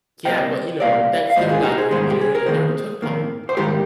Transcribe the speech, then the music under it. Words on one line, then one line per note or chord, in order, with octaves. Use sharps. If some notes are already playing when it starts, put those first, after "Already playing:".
Yeah, but, you know, Thanksgiving got greedy, and r and they already took pumpkin pies.
C3 G3 A#3 D#5 G5
C3 G3 A#3 D5 F5
F5
G#2 D#3 G3 A#3 C5 D#5
F4 G#4
D#4 G4
G#4 C5
G#2 D#3 G3 A#3 G#4 C5
G4
G#4
A#4
F2 D#3 A#3 G#4 C5
F2 D#3 A#3
C5
G#2 D#3 G3 G4 A#4